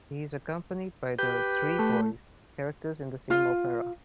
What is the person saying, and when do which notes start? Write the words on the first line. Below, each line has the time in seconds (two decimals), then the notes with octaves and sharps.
He is accompanied by the Three Boys, characters in the same opera.
1.19 G4 B4 G6
1.79 A3
3.30 F4